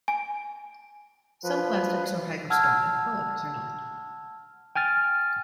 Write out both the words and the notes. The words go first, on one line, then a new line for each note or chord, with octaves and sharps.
Some plastics are hygroscopic while others are not.
G#5
F3 B4
F#5 A5 E6 F6 G#6
G5 G#5 F6 A6